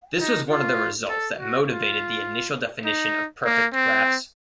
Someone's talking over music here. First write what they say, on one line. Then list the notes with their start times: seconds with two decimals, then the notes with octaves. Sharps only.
This was one of the results that motivated the initial definition of perfect graphs.
0.20 D#4
0.50 F4
1.08 A4
1.38 F#4
1.68 F4
2.85 D#4
3.45 A#3
3.74 C4